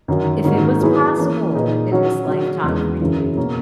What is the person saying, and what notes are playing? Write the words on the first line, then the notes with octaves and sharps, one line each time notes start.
If it was possible in this lifetime for you,
F#2 D#3 F#3
G#2 D#3 F#3 A#3 C#4
F#3 B3 E4 G#4 C#5
E3 A#3 C#4
A#2 A#3 D#4 G#4 B4
F#3 C#4 F#4 C#5
C#3 F#3 C#4 F#4
E2 C#3 G#3
F#2 C#3 E3
B2 A#3 C#4